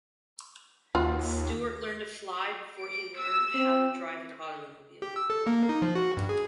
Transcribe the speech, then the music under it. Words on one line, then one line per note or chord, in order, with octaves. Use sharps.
Stewart learned to fly before he learned how to drive an automobile.
D#2 F4 F#4
D7
E6
C4
G4
E6
A4
A#3
D#4
F3
F#4
G2
G#4